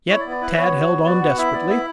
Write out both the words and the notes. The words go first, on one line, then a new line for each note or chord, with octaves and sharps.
Yet Tad held on desperately.
E4 C#5
D5
B3
D5
E4 B4
B3 C#5
F#4
B3
F#4 D5
B3 F#5
E4 E5
B3 D5
E4 E5